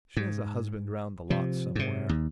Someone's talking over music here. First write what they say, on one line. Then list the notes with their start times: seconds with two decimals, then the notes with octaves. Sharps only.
She has a husband round the lot somewhere.
0.17 G#2
1.30 C3 F3
1.75 G#2 C3
2.09 D#2